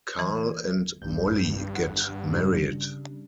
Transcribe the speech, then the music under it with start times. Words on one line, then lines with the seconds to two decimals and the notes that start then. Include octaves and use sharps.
Carl and Molly get married.
0.19 E3
1.02 B1 G2 G6
1.75 F#5
2.31 C#3 G3 D4